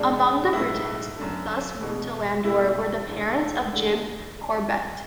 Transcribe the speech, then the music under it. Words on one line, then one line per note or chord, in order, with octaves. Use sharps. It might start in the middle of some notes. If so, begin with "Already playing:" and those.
Among the Britons who thus moved to Landour were the parents of Jim Corbett.
Already playing: C#2 B2 G#3 D4
B1 A2 G#3 E4
F#2 D3 A3
E2 B2 G#3
C#2 B2 A3 E4
E1 E2 D3
E2 D3 A3